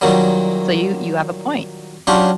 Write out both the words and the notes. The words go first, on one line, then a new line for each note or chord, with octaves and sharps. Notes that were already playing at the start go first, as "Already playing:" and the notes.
So, you you have a point.
A#2 D#3 F#3 G3
F#3 C#4 D4 F4 G4